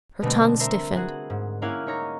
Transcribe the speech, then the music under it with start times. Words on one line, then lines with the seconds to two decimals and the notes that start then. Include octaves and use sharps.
Her tongue stiffened.
0.22 B2 D3 G3 A3 B3 C4
0.60 A#4 C5 E5
0.96 F#4 G#4 F#5
1.30 G#2
1.62 A#3 C#4 E4 F5 F#5 G#5
1.86 C#4 D#4 C#5 A#5